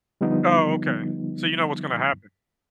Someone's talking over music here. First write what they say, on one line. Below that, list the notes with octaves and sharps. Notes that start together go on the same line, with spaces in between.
Oh, okay. So you know what's gonna happen?
D3 F3 G3 B3 D#4